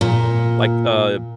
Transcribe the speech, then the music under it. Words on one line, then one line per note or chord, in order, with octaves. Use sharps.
like, a
A#2